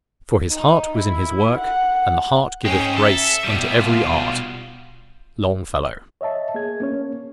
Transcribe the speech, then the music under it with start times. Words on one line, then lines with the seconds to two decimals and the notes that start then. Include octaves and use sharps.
For his heart was in his work, and the heart Giveth grace unto every art. --LONGFELLOW.
0.52 D#4
0.98 E4
1.58 F#5
2.66 G#2 G#3 C#4 G5
2.97 A4 E5
3.44 B2 G3
3.74 F4
6.21 C#5 D#5 E5 A5
6.54 A#3 G#4 G#6
6.80 A#3 C#4 C#5